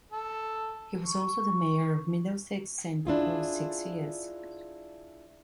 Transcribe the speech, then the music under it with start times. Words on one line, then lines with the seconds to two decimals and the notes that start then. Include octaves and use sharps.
He was also the mayor of Middlesex Centre for six years.
0.11 A4
1.06 C#6
3.05 D4 E4 F4 G#4